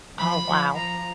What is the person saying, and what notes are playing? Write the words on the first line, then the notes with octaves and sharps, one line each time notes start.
Oh, wow.
F3 B5
F3
F3 A#5